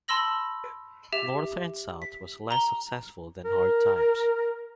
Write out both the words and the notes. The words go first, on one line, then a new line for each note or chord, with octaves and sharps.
"North and South" was less successful than "Hard Times".
A5 B5 C6 E6 A#6 F#7
G4 E5 E7 F7
B6
A#5 G7
A#4